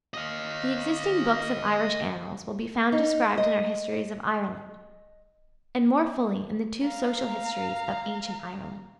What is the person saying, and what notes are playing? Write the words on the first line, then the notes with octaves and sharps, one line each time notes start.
The existing books of Irish Annals will be found described in our Histories of Ireland, and more fully in the two Social Histories of Ancient Ireland.
D#5 F5
D#4
D#5
F5 A#5